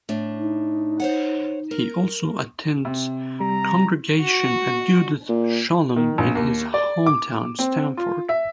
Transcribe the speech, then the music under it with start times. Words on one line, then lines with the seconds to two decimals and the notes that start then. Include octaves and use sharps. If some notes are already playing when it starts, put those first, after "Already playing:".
He also attends Congregation Agudath Sholom in his hometown Stamford.
0.09 A2 D4
0.39 D#4
1.00 C5 C#5 F#5
1.71 A#4
2.85 C3
3.40 G3 A#5
4.21 F#4
5.29 A#2
5.96 D#3
6.18 A#1
6.35 D#2
6.74 D5
7.06 D6
7.59 C4
7.97 F4
8.29 E5